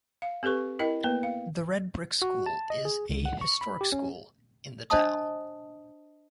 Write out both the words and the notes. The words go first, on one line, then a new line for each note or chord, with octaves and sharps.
The Red Brick School is a historic school in the town.
F5
C4 G4 A4 B4 C#6
E4 A#4 D#5 G5
A#3 B3 B4
F5
F#4
A5
D#5
G#4
C#2
F#5
C#6
B5
G4
C#4
D4 C5 D#5 A5 D#6